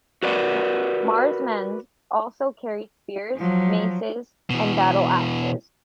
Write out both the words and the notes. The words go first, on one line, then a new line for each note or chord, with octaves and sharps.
Mar's men also carried spears, maces and battle axes.
F#4 A#4 B4 D5 F#5
F3 F#3
B2 E3